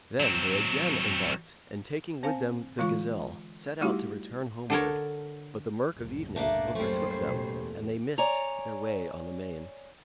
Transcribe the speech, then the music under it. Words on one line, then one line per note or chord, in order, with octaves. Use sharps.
Then they again embarked and taking with them the gazelle, set out to return homeward, but the murk of evening overtook them and they missed their way on the main.
F#3 C4
C4 C5 F5 G#5
D3 E3 G#3 F4 F5 C#6
G3 A3 D#4 E4 F#4 G4
D3 A4 A#4 C#5
F#1 C2 A2
A3 A#3 D4
F#2 G3 A3 A#3 C#4 G4 C5
A1 B2
E2
C#5 D5 G#5 A#5